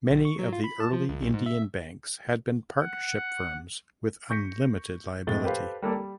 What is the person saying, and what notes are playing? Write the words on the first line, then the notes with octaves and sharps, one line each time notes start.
Many of the early Indian Banks had been partnership firms with unlimited liability.
B1
C#6
F#3
F4
B5
A5
F3
C#2
B1
G#2
E5
F#5
C#6 G6 A#6 B6 C#7
F2 A2 G#3 A6 G7
G4 A4 B4 C5 F5
G3 A#3 A4 D5
G3